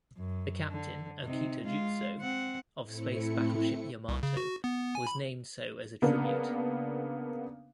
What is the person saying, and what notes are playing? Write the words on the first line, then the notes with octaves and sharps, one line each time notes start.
The captain, "Okita Juzo" of Space Battleship Yamato was named so as a tribute.
F#2
D3
C3 D#4
G#3 F4
C4 F#5
A2 A3 C4 E4 C#7
C2
C#3
F#4
B3
G#5
B5
C#3 A#3 B3 D4